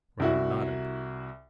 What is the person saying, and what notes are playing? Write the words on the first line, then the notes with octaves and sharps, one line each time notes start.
Rand nodded.
C2 E4 F#4